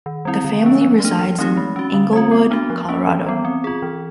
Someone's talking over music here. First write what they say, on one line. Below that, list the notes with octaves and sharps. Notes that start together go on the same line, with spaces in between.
The family resides in Englewood, Colorado.
D#3
G3 C4 E4
D3
F3 A#3 C#4
F3
A3 D4
E3
A3 C4 D#4 G4
G#3
C#4 F#4
D3
G3 C4 F4
B3
D4 F#4
F3
A#3 C#4
E3
G3 B3
C4
F4 G#4
E3